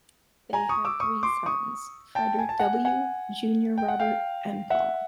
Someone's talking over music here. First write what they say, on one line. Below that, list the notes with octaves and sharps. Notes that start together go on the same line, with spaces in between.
They had three sons, Frederick W., Junior Robert, and Paul.
G#5 A#5
C#6 D#6
D6 E6
C#6 D#6
C6 D6
C#6 D#6
G5 A5
G#5
A5
F#5 G#5
F#5 G#5
G5
F#5
F5 G5
E5 F#5